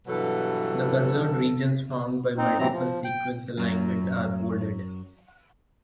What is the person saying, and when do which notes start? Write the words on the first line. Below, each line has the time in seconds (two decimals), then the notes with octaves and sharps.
The conserved regions found by multiple sequence alignment are bolded.
0.08 G2 B2 E3 F#3 A4
2.38 C4 D#4
2.59 C3 E3 F#3 C4 A#5
2.73 F3
3.04 G5
3.58 F#2 F#3